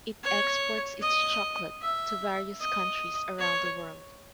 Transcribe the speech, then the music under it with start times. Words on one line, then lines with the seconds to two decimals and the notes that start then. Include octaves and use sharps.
It exports its chocolate to various countries around the world.
0.23 C#5
1.02 D#5
1.81 E5
2.60 D#5
3.39 C#5